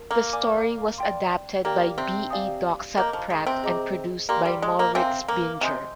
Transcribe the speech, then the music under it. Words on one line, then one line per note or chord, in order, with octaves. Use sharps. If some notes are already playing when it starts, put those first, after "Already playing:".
The story was adapted by B. E. Doxat-Pratt and produced by Maurits Binger.
Already playing: A#4
A#3
D5 G#5 D6
D5 G5 C6
A#3 G4 D5 G5
C3 C4
G4 D5 F5 G#5 D#6
A#3 D#5 A#5 D6 G6
F3
G#3
C3 C4
G#4 D#5 A#5 D6
A#3 G4 D5 G5 C6
G3
G#3
A#3
C3 C4 F5 G#5 C6
A#3
C3 D#5 G#5 C6 D#6 G6